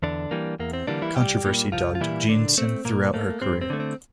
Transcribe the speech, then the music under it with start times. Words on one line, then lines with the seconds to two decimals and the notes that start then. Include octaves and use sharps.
Controversy dogged Jeanson throughout her career.
0.03 E2 D3 D4
0.31 E3 G3 A#3
0.59 E2 A#3
0.73 C4
0.87 D3 E3 G3 A#3 D4
1.02 E3 E4
1.16 C2 G3 G4
1.45 A#2 G3 A#3
1.72 C2 F3 F4
1.95 F4
2.01 A#2 E3 G3 A#3 E4
2.29 A#2 D3 D4
2.58 A3 C4
2.85 A#2 A#3
3.14 A3 A#3
3.42 G2 C4
3.61 C4
3.70 D3 A3
3.80 C4